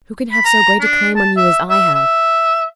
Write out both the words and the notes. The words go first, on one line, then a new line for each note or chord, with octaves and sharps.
Who can have so great a claim on you as I have?
B5
A#5
D4
A5
E5
E5
E5